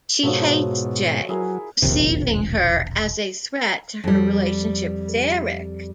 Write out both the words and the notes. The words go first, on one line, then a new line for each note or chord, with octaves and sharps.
She hates Jaye, perceiving her as a threat to her relationship with Eric.
G#2 B2 F3 F#3 A3
F#3 E4 G#4 A#4
E1 A#1 D#2 C3
F2 G3